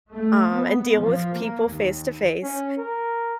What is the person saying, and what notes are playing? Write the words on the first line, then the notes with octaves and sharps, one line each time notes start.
um, and deal with people face to face.
A3
B3
F3
A#3
D#2
C#4
A#4